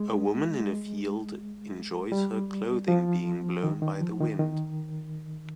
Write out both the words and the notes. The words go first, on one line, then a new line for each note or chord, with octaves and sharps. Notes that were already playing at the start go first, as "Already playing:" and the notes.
A woman in a field enjoys her clothing being blown by the wind.
Already playing: G#3
G#3
G3
F3
D#3
D#3
F3
D#3
D#3